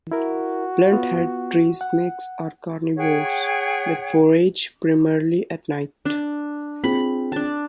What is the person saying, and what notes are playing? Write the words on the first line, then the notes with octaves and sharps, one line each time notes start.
Blunthead tree snakes are carnivores that forage primarily at night.
E4 F#4 A#4
B3 F4
F#5
G#4 C#5 F#5 G5
D4
C4 F4 G#4 B5
D4 A5